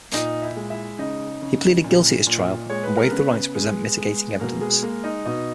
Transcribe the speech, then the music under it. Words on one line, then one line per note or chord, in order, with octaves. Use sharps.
He pleaded guilty at his trial and waived the right to present mitigating evidence.
A#2 D#4 D#5
E4 E5
G#3
E4 E5
C#3 D#4 D#5
C#3
A#2
A#2
G#3 C#5
B4
A#4
C#3 B3 B4
G#3
G#3
B2 A#3 A#4
G#3 G#4
G#3 A#3 A#4
D#4 D#5
B2 D#4 D#5